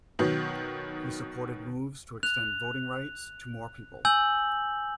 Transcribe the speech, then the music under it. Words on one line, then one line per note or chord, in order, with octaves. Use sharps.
He supported moves to extend voting rights to more people.
B2 D#3 F#3 B3
F#6 F7
G#5 E6 G6 F#7